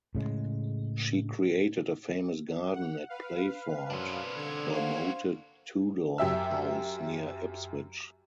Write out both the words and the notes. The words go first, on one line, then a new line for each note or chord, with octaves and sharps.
She created a famous garden at Playford, her moated Tudor house near Ipswich.
A2 C#3 G#3
F#5
B4 F5
F#2 C4 D4
D3 G#6
A#3 F#4 C5 F5
F#2 G4 E5 E6